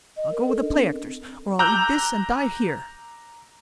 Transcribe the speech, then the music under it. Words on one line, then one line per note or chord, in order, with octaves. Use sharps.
I'll go with the play-actors, or I'll eat this and die here.
D#5
A#4
A4
D4
C4
A#5 D6 E6 F#6 G6